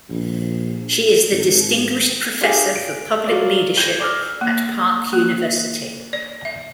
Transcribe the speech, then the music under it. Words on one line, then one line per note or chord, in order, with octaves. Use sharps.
She is the Distinguished Professor for Public Leadership at Park University.
A#1
G#1
D4 F4 G4 G#4
D7
F#3 F4 D5
G6 G#6 A#6
D5 D6 E6 F6
A#3
A#3
D5
E5